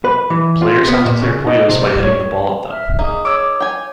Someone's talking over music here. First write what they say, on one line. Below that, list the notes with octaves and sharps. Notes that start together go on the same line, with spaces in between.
Players have to clear Puyos by hitting the ball at them.
B4
E3
F4
B3
A#2
C#3
D#4
C3
G3
C#5
E5 F6
A#3 D#4 G#4 D#6
C#5 D6 E6
G5 G#5